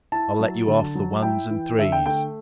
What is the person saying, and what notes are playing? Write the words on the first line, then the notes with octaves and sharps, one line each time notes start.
I'll let you off the ones and threes.
E4 A5
F#3
D3
F#3
E4 G5
E3
D3 E5
G5
A3 G5